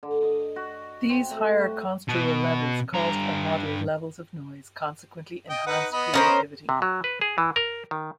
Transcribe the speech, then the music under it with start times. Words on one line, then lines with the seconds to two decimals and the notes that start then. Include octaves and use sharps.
These higher construal levels caused by moderate levels of noise consequently enhance creativity.
0.03 D3
0.23 D#5
0.56 F#4
1.09 C4
1.31 A3
1.59 F#4
2.08 B2
2.94 G2 A#5
5.50 D#5 G5
5.66 D#4 B4 F#5
5.93 B3 D#5 B5
6.14 C#4 A#4 C5
6.69 C3
6.82 F#3
7.04 B4
7.21 G#4
7.38 E3
7.56 A#4
7.91 D#3